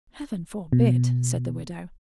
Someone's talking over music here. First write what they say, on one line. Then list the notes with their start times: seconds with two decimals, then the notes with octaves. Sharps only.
"Heaven forbid!" said the widow.
0.73 B2